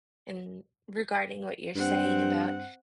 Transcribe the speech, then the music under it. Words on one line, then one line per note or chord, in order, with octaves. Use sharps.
and regarding what you're saying about,
G2 C4 F#5